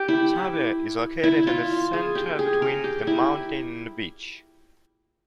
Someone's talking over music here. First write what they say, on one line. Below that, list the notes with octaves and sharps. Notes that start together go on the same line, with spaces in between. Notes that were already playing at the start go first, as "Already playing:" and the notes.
Sabya is located in the center between the mountain and the beach.
Already playing: G4
E4
E4
F4
G#4
G4
G#4
A#4
G4
E4